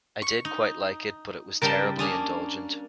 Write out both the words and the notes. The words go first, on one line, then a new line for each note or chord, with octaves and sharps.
I did quite like it but it was terribly indulgent.
C#6
D#4
C#3 G3 A#4 G5 A5
A#3 C#4 D4 D#6